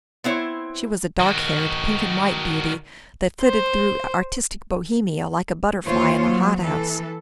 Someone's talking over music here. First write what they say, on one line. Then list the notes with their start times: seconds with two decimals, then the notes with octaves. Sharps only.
She was a dark-haired, pink-and-white beauty that flitted through artistic Bohemia like a butterfly in a hothouse.
0.24 B3 C4 E4 C5 C#5
1.20 D#3 F#4
3.42 C5
5.85 D#2 E3 A#3 F4 C5 C#5
6.25 F#3
6.62 E3 A4